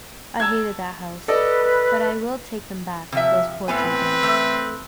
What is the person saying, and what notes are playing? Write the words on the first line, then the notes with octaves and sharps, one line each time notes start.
I hated that house... But I will take them back, those poor children.
A5 E6 G#6
A4 B4 D5 D#5
C3 F3 E5
A2 B3 C4 B4 G#5
E3 A3